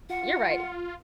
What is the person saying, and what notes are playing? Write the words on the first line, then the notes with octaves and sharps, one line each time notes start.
you're right.
F4 F#5